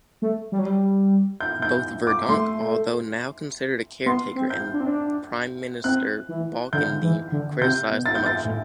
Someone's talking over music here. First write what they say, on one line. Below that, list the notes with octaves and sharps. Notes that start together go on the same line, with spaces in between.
Both Verdonk, although now considered a 'caretaker', and Prime Minister Balkenende criticized the motion.
A3
G3
F#3
G3
G6
G6
D6
A3 C6
B3 C6
C4
G6
D4
C4
D4
C4 F#6
E3
D3 G6
E3
D3
C3 G6
B2
A6
G6
A6
A2